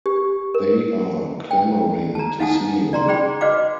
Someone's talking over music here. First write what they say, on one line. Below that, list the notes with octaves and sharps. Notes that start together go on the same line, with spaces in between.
They are clamouring to see you.
G4
A#4
G5
A5 A#5
D#4 F5 F#5 G#5 A5 D#6
D5 A#5 C6
G#4 C5 D5 G5 B5
F#4 B4 C5 D#5 F5 D6